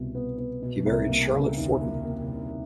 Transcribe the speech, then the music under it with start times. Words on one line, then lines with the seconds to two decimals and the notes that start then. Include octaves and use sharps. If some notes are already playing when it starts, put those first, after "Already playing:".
He married Charlotte Forten.
Already playing: C2 B2
0.15 B3
0.38 B3
0.62 B2
0.86 C2
1.09 A#3
1.33 C#3
1.57 D#2
1.81 A#3
2.05 A#3
2.28 C#3